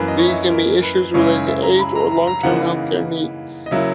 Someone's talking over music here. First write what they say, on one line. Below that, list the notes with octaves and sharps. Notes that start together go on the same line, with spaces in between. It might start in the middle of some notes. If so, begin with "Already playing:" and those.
These can be issues relating to age or long-term health-care needs.
Already playing: F#2 E3 A#3 B4
D#5
C#5
E5
D#5
A#4
B4
F#2 C#3 G#3 C#4 E4 C#5
E5
A#5
B5
A#5
A#5
A#5
C#3 E3 A#3 D#4 F#5
D#5
C#3 F#3 A#3 E4 E5